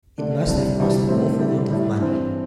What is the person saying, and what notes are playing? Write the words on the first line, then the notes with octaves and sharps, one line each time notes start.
It must have cost an awful lot of money.
D3 A3 D4
C2 C3 G3 D4
D2 C3 G3 E4 G4
A2 A3 C4
D3 G3 E4 G4
A2 G3 E4 G4
G2 E3 C4